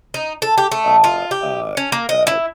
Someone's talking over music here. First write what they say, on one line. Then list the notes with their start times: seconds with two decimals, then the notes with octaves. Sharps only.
uh, uh, uh
0.14 D#4
0.42 A4
0.58 G4
0.72 A3
1.04 F4
1.31 G4
1.77 C#4
1.92 A#3
2.09 D#5
2.27 E4